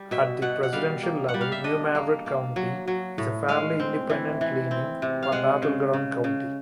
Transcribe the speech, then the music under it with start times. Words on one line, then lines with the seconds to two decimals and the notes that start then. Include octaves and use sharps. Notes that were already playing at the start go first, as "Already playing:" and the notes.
At the presidential level, New Madrid County is a fairly independent-leaning or battleground county.
Already playing: G3
0.11 B2 E5
0.42 B2 F#5
0.63 F#5
0.73 G3 F5
1.03 A#3
1.29 F#5
1.34 G3
1.41 F5
1.52 E5
1.64 D4 D#5
1.95 A#3
2.26 A#3
2.56 F#3
2.88 F#3
3.18 A2
3.48 G#3 F5
3.80 C4
4.10 E3
4.41 E3
4.71 C4
5.02 C3
5.23 F5
5.32 G#3 F#5
5.62 C#3
5.93 C#3
6.24 C#3